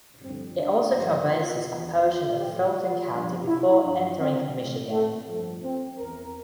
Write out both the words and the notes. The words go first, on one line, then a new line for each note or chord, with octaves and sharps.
It also traverses a portion of Fulton County before entering Michigan.
G2 D3 F3 C4
D4
G2 D3 F3
F4
E2 E3
F4
A2 F3 G4
F4
G2 F3
E4
G2 F3 D4
C4
A2 E3 C4
A3
G2 F3 A3
C4
E2 E3 A#4